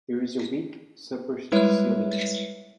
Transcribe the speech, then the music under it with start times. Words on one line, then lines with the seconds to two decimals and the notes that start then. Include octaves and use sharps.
There is a weak supercilium.
1.52 G3 G#3 E4 B4 C#5 E5